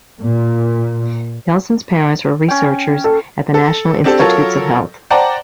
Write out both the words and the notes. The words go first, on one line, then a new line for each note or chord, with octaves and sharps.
Nelson's parents were researchers at the National Institutes of Health.
A#2
C#4 G5
A4
A4
C4 D4 G4 A4
F#3 F4 A4 A#4 C#5
C5 D5 F#5 G5 A5 A#5